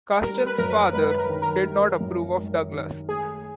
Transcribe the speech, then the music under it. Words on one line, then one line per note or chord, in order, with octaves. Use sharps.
Custance's father did not approve of Douglas.
G3 A#4
B4
F#2 A#4
B4
G#1 B4
B4
A#4
D#3
A#4
G3
F#2
G#1
D#3
A3 G#4